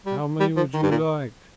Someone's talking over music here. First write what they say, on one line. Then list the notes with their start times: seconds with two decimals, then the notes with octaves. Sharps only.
"How many would you like?"
0.06 G3
0.40 G3
0.57 F3
0.74 D#3
0.83 G2
0.91 A#2